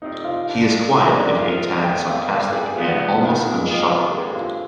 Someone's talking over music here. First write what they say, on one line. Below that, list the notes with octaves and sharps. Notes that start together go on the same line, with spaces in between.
He is quiet, if a tad sarcastic, and almost unshockable.
F2 C3 G3 C4 D#4
F4
D#3 G3 D4
F2 D3 G3 D4 D#4
D5
F3 G#3 B3 F4 F5
D#3 G#3 B3 G5
F5
D2 D3 G3 B4
G#4
G#2 G3 B3 F4
D#4
G#2 D#3 G#3 C4 F4
B4
G#4
G#4
B2 G#3 D4 F4 B4
C5
B4
D#2 D3 G#3 G4
F4